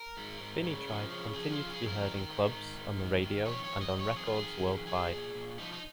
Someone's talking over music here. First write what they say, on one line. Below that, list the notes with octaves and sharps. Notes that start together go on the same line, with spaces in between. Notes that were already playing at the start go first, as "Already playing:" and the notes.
Finitribe continue to be heard in clubs, on the radio and on records worldwide.
Already playing: A#4
G#2
G#2
C#3
F3
C#3
F3 G#4
F4
C#3
G#4
F2
A#4
D#3
G#2
D#3
G#2
D#3
D#3
F2 C#5
C#5
F2
D#5
F2
C#5
D#3 G#4
F4
G#4
D#3
F2
F3 G#4
A#2
A#2
F3 D#4
D#4